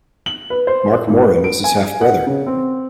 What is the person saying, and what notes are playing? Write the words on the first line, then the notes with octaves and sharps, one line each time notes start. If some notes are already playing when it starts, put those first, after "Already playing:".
Mark Moran was his half-brother.
F#7
B4
C5
G#1
B4
D7
G#5
F#5
C#3
C4